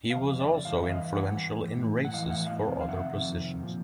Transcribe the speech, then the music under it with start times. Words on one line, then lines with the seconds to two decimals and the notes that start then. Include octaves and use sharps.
He was also influential in races for other positions.
0.10 F5
0.16 F2 C#3
0.40 D5 E5
0.65 G2 E3 F5
0.75 D#5
0.83 E5
0.89 D#5 F5
1.14 G2 E3 F#5
1.64 A2 E3
2.05 F#5
2.14 A2 E3 D#5 F5
2.30 E5 F#5
2.47 D#5 F5
2.64 F2 C3 D#3
2.81 F5
2.88 E5 F#5
3.12 F2 C3 D#3
3.63 A#2 F3